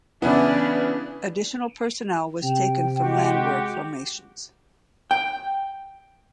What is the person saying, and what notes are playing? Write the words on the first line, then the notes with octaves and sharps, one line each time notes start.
Additional personnel was taken from "Landwehr" formations.
C#3 E3 B3 D4 E4 B4 D5
C3 G5
G#3 F#4 G4
G5